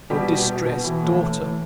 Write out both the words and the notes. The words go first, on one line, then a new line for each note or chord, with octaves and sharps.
Your distressed DAUGHTER.
B2 G3 G4
B2
B2
B2
E3
A2
A2
E3